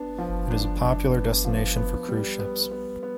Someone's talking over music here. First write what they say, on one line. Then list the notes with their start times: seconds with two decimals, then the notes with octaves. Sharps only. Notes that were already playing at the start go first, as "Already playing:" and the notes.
It is a popular destination for cruise ships.
Already playing: B3 D4
0.18 F3
0.50 D4
0.82 D4
1.14 B3
1.45 F3
1.76 B3
2.09 G3
2.39 B3
2.71 B3
3.03 B3